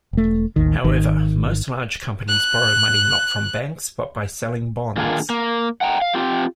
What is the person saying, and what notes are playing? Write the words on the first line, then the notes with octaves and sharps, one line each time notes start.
However most large companies borrow money not from banks, but by selling bonds.
E1 A3
A1 D#2 D#3
G#1 D#3
F#6
A#2 D3 D#3 A#3 F4 G#4
A#3
F#5 G5 A#5
F5
C4 F4 G4